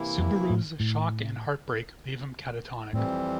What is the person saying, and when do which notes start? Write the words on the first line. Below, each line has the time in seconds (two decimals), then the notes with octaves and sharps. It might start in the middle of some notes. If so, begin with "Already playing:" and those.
Subaru's shock and heartbreak leave him catatonic.
Already playing: C3 E3 A#3 E4
0.18 F2
0.50 A2
0.80 A2
2.93 F2 A2 E3 G3 C4